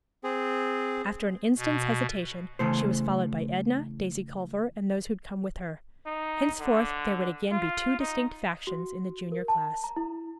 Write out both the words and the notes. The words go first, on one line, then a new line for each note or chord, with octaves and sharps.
After an instant's hesitation, she was followed by Edna, Daisy Culver and those who had come with her. Henceforth there would again be two distinct factions in the junior class.
C4 G#4
B2
C#3 E3 A3 C5
D#4
D3
F4
D#4
F#4
A#4
A5
A#5
E4